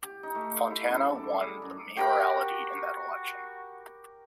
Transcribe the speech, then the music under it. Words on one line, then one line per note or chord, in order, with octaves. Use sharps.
Fontana won the mayoralty in that election.
G4
D#4
A3
E4
F#2
A4
D6
G3
G#4
F#2
F#4 G4 A#4 G5 B5